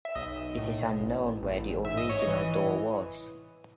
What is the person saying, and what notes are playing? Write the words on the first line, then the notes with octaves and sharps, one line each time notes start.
It is unknown where the original door was.
E5
B1 D#5
A2
A1
A1
G#2 E5
D#5
C#5
D#5
E3